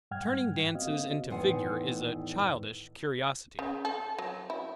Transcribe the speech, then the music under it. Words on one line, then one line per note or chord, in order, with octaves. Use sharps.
Turning dances into figure, is a childish curiosity.
G#2 G3 F#5 G5 F6 G#6
A#3 C4 F#4 D#5 F5
E2 A2 D#3 C5 F#5 G#5
C#3
A4
F#3
E4